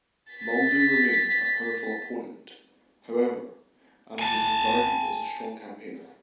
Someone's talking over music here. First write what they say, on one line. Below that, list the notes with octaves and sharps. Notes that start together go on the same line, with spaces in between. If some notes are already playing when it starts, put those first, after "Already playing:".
Muldoon remained a powerful opponent, however, and was regarded as a strong campaigner.
A6 B6
G#5 A5